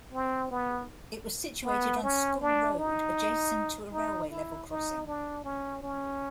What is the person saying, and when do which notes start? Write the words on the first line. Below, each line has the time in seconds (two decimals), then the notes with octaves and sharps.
It was situated on School Road, adjacent to a railway level crossing.
0.13 C4
0.52 B3
1.65 B3
2.03 C#4
2.41 D4
2.79 D#4
3.93 D#4
4.30 E4
4.70 D#4
5.07 D4
5.45 C#4
5.82 C#4